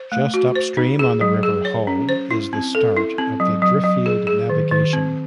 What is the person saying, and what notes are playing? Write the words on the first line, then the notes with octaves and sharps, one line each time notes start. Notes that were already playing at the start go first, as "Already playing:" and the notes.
Just upstream on the River Hull is the start of the Driffield Navigation.
Already playing: C5
A3
F#4
C5
D#4
G#4
F#3
G#4
C#5
C#4
C5
E4
C4
A4
E4
C4
F#3
F#3
F#3
G#4
G#4
D#3
D#3
C4